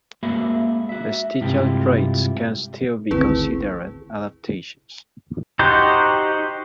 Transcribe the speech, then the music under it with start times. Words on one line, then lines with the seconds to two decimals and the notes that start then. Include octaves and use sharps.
Vestigial traits can still be considered adaptations.
0.23 G#3 A#3 F#4 G#4 E5 B5
0.89 F#4 E5
1.41 G2 C3 G#3 E4 F4 G4
3.11 G#1 D2 C4 E4 G#4 B4
5.59 D#4 F#4 G4 C5